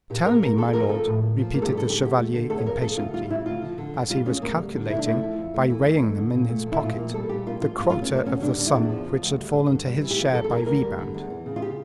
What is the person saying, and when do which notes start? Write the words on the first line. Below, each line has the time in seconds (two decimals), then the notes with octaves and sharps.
"Tell me, my lord," repeated the chevalier impatiently, as he was calculating, by weighing them in his pocket, the quota of the sum which had fallen to his share by rebound.
0.10 A#2 G4
0.25 A#2 A#4
0.42 A3 A#4
0.57 F2 A4
0.73 F3 A#4
0.89 C#3 A4
1.06 A2
1.22 A#3
1.38 F3
1.54 G2 A#3
1.62 A4
1.66 G4
1.69 G3
1.77 A4
1.85 D3 G4
2.01 E2 G4
2.18 A3
2.33 D3
2.50 E2 A4
2.58 C#5
2.66 F3 A#4
2.82 C#3 A4
2.97 D2 F4
3.13 G3 F4
3.30 C#3 E4
3.46 D2 F4
3.62 F3
3.78 D3
3.94 F2
4.10 G3 F4
4.26 C#3 C#4
4.42 D2 A#3
4.58 G3
4.75 D3
4.89 A#2 E4
4.99 D4
5.05 A3 E4
5.22 F3
5.38 F2
5.54 A3
5.70 E3
5.86 F2
6.02 A3
6.18 D3
6.33 A#2
6.50 A3
6.66 F3
6.72 E4
6.82 A#2 F4
6.98 A#3
7.14 G3 A4
7.29 A#2 G4
7.46 A#3 F4
7.61 F3 F4
7.77 G2 F4
7.90 F4
7.94 A3
8.02 C#4
8.11 F3 A#3
8.25 D2 C#4
8.42 G3 D4
8.58 D3 D4
8.66 E4
8.74 E2 D4
8.89 F3
9.06 C#3
9.23 D2
9.38 G3
9.53 D3
9.69 G2
9.86 G3
10.01 E3
10.11 G4
10.18 E2 F4
10.34 G3 A4
10.44 A4
10.49 E3 A#4
10.66 D2 A#4
10.81 G3
10.99 D3
11.14 E2
11.30 E3
11.46 C#3
11.56 F4
11.62 G4